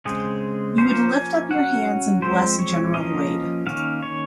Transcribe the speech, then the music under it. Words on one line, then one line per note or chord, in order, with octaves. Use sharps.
You would lift up your hands and bless General Wade.
C#3 G#3 C4 G#4
F3 A#3 C#4 C5
G#5
F#3 C#4 F#5
F3 G#3 C4 C5
C#5
F3 A#3 C#4 D#5
D#3 A#3 C#4 F5
C#5